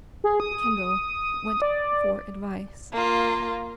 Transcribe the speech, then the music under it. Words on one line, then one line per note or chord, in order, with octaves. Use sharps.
Kendall went for advice.
G#4
D#6
D5
A#3 F4